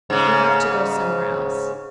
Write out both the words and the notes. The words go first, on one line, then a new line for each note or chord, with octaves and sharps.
"You'll have to go somewhere else."
G#2 C#3